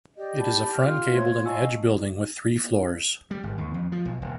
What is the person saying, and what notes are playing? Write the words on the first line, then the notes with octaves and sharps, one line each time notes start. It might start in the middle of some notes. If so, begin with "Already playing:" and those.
It is a front-gabled and edge building with three floors.
G4 D5 D#5
D5 A5 B5
G5 F6
F4
A3 C5 C#5 G#6
D#5 F5 G#5 A5 C#6 E6
G3
G#1
D#2
F2
F3
B1
D#1